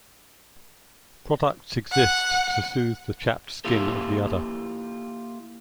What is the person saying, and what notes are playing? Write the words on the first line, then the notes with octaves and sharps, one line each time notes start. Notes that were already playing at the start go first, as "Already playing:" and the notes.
Products exist to soothe the chapped skin of the udder.
F#5
A#3 E4 F4 G4 A4